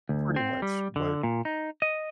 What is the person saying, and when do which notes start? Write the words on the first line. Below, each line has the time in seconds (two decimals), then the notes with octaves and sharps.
Pretty much, but
0.09 D2
0.36 C4
0.62 G3
0.96 D3
1.23 A#2
1.45 D#4
1.82 D#5